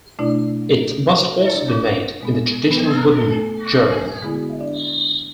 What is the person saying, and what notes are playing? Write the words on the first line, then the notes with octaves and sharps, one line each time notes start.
It must also be made in the traditional wooden 'gerle'.
B2 A3 D4 E4 D5
F#4
E4 E5
D4 D5
C#4 C#5
B2 G#3 B3
B3 B4
A3 A4
D3 G#3 B3 E4 G#4
F#4
D4 D5